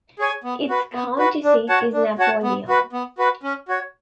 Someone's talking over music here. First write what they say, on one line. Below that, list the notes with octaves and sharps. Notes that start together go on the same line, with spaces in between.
Its county seat is Napoleon.
G#4 C#5 G#5
B3
F#4 B4
B3
F#4 B4
D4
F#4 C#5 F#5 A5
D4
F#4 C#5 F#5 A5
B3
F#4 B4
B3
F#4 B4
C#4
F#4 C#5